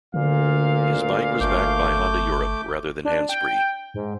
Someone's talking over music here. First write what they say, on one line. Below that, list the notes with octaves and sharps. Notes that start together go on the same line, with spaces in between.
His bike was backed by Honda Europe rather than Hannspree.
D2 A#2 D3 F5
G1 A3 D6 G6
D4
G5
G#2